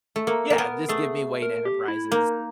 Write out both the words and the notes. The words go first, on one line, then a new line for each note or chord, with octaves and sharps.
Yeah. Just give me Wayne Enterprises,
A3
A#3 A4
A#3
B3 A#4
A3 G#4
A#4
G4
E4
A#3 D#4